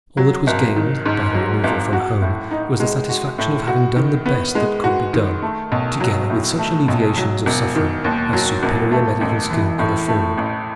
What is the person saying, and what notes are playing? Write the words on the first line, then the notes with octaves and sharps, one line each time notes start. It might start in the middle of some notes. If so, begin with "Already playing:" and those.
All that was gained by the removal from home was the satisfaction of having done the best that could be done, together with such alleviations of suffering as superior medical skill could afford.
F#3
G#1
D#3
G#2
F#3
G#1
F#4
A2
D#4
G#3
F#4
A2
F#4
D#3
B3
G#3
F#4
D#3
A3
B1
F#3
A2
A3
B1
F#3
E1
D#3
D#2
F#3
E1
A3
A1
E3
A2
A3
A1